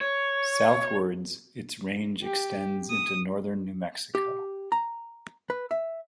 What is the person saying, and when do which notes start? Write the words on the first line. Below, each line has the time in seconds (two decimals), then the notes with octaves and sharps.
Southwards, its range extends into northern New Mexico.
0.01 C#5
2.24 G4
2.90 D#6
4.15 G4
4.72 A#5
5.50 B4
5.71 E5